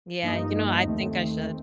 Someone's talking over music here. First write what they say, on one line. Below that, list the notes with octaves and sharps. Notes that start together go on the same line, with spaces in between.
Yeah, you know, I think I should.
G2 F3 A#3 D#4
D#2 D#3 A3 C4
C4